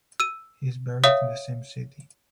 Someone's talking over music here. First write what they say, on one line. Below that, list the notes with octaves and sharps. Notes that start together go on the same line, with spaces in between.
He is buried in the same city.
E6 D#7
C#5 E5 F5 D#6